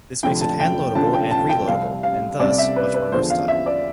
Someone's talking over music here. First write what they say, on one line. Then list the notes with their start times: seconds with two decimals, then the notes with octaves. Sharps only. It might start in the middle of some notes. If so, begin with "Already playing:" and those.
This makes it handloadable and reloadable, and thus much more versatile.
0.23 F1 F2 D3 F3 G5
0.41 A5
0.60 G5
0.95 F1 F2 D3 F3 A5
1.13 G5
1.31 A5
1.49 G5
1.67 C2 C3 G3 F5
2.03 F5
2.39 C2 C3 G3 D5
2.58 E5
2.76 B4
2.94 B4
3.12 E2 D3 F3 C5
3.30 F5
3.48 E5
3.66 D5